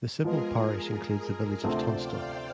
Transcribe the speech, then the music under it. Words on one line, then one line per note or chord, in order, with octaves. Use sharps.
The civil parish includes the village of Tunstall.
F3 G#3 B3 G#4 A#4
D2 C3 F3 A3 C4 C5 D5
F5 G5